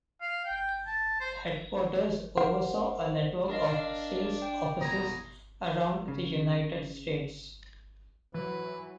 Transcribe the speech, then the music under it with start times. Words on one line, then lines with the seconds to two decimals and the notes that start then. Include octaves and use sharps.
The headquarters oversaw a network of sales offices around the United States.
0.21 F5
0.45 G5
0.87 A5
1.20 C5
2.38 A#4 C5 F5 F#5 C6
3.49 D4 A#4 D#5 F5
4.38 D5 G5
4.81 E2 B2 A#5 D#6 G#6
6.08 C#3
8.34 E3 F#3 B4